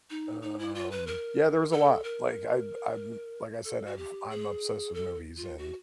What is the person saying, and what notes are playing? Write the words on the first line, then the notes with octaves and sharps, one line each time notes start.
Um, yeah, there was a lot, like I I'm like I said, I've I'm obsessed with movies and
D#4
D#4
E4
F4
B4
A#4
A4
A#4
A4
F#4
G4
G#4
A4
F4
F#4